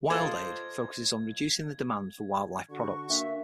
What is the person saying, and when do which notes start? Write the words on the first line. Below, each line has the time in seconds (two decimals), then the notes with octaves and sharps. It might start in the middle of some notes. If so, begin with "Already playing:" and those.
WildAid focuses on reducing the demand for wildlife products.
0.10 F4 A4 C5 D5 D#5 G#6
2.70 D3 F#4 C#6
3.10 A#3 D4 E5